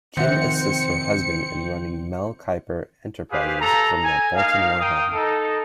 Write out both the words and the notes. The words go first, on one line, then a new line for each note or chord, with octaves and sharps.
Kim assists her husband in running Mel Kiper Enterprises from their Baltimore home.
F2 C3 D#3 C4 F#5 C#7
G4 G#4 B4 C5 F5
A4 A#5
G#5
A#3 D#4 F5
A#4 G5 D#6
D#4 A4